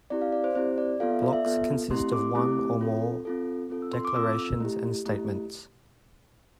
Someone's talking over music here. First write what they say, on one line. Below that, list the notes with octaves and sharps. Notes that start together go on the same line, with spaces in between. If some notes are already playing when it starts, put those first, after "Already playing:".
Blocks consist of one or more declarations and statements.
C4 E4 G4 D5
F5
D5
C5
C4 E4 G4 C5
D5
B3 F4 A4 F5
E5
D5
E5
B3 F4 A4
A3 C4 E4 G4 C6
D6
A3 C4 E4 G4 D6
C4 F4 A4
C4 F4 A4
C4 F4 A4
E6
C6
D6
C4 F4 A4 E6
A3 E4 G4
A3 E4 G4